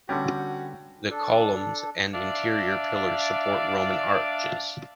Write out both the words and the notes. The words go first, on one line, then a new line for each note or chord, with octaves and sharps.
The columns and interior pillars support roman arches.
D3 G3 B3 C#4 F#4 G5
D4 A4
D4 D5 E5 F5